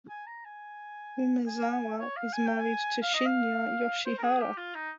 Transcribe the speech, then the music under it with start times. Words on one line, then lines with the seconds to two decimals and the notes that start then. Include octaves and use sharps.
Umezawa is married to Shinya Yoshihara.
0.09 G#5
0.27 A#5
0.45 G#5
1.47 G#5
2.00 C#5
2.17 F5
2.33 G#5
2.47 G5
2.60 G#5
3.03 F5
3.14 D#5
3.26 F5
4.06 C5
4.18 A#4
4.23 G#4
4.36 G#4
4.41 G4
4.57 F4
4.75 D#4